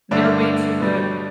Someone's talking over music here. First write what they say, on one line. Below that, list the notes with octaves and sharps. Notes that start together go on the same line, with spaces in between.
They're way too good.
G2 D3 A3 D4
B2 G3